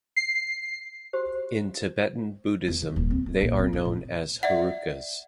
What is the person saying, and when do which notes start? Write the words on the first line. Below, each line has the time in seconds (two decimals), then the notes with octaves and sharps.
In Tibetan Buddhism, they are known as Herukas.
0.16 C7
1.13 F#4 G4 C5
2.68 E2
2.82 D#3
2.96 D#1
3.11 C4
3.26 E3
3.41 A#1
3.59 C4
3.73 C#4
3.85 A2
4.43 D5 E5 F#5